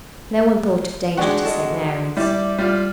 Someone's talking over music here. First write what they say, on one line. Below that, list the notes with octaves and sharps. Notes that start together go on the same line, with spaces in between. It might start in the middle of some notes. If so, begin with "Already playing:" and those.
No one thought of danger to St. Mary's.
G#3 D4 F#4 G4 F#5
F#4 A4 D#5
G3 E4 D5
G3 F4